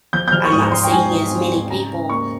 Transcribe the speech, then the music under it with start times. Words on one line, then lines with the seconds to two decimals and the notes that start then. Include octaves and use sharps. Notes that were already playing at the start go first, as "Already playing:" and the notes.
I'm not seeing as many people
0.13 F3 G6
0.28 G6
0.32 F3 F6
0.46 C#6
0.52 G#2 D#6
0.64 A#5
0.72 G#2 C6
0.83 G5
0.92 G#2 G#5
1.12 G#2
1.31 C4
1.51 G#2
1.70 C#3 A#5
1.91 C#3
2.09 A#3 C#6